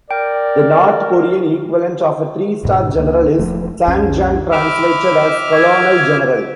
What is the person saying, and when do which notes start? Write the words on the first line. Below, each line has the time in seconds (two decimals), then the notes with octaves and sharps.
The North Korean equivalent of a three-star general is "sangjang", translated as "colonel general".
0.11 A#4 D5 G5
2.63 E1 G#2 B2 D4
2.95 C#2 A#3
3.39 E1 F3 A3
3.88 B1 F2 C#4
4.52 E5 B5 D6 F6
5.53 G#6